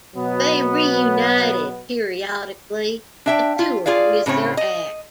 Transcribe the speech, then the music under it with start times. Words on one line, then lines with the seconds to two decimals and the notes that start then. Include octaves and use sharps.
They reunited periodically to tour with their act.
0.16 B2 F#3 B3
3.26 D4 E5 G5
3.59 F4
3.86 F4 G#4 D5 F5
4.26 A2 C#3 C4 C#5
4.57 D#5